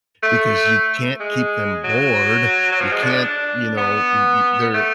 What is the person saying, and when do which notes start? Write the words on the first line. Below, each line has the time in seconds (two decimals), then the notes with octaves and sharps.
because you can't keep them bored. You can't you know, y y they're
0.23 A3
1.20 G#3
1.84 F#3
2.72 F#3
2.80 F3
2.92 G#3
3.03 D4
3.13 D4
3.77 B3
4.74 A3